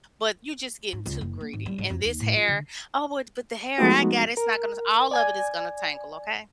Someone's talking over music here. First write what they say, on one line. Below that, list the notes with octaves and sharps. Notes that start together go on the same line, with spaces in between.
but you just getting too greedy, and this hair, "Oh, would but the hair I got, it's not gonna s" all of it is gonna tangle, okay?
G#2
C#2
F#1
A#3
G#1
G3
G#2
F2
D#2
A2
F4
D3
F3 G#3 A3 B3 D#4 F#4
A#4
D5 G#5 G#6